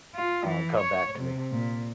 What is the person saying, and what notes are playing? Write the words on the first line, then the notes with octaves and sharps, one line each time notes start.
um, come back to me.
F4
E3
C#5
C3
A#2